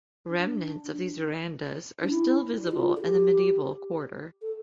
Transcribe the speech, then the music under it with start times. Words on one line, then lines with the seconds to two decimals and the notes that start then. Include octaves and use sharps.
Remnants of these verandas are still visible in the medieval quarter.
0.29 D4
2.03 D4
2.10 E4
2.67 G4
2.71 F4
2.97 A4
3.02 G4
4.42 A4